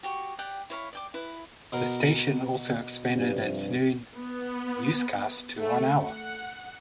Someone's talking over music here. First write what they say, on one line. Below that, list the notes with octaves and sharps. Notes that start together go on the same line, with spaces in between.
The station also expanded its noon newscast to one hour.
F#4 G4 C#6
G4 D5 F#5 G5
E4 C#5 F5 B5
D5 G5 D6
E4 B4
B2 A#4
G2 C3 F3
B3
A3
F#5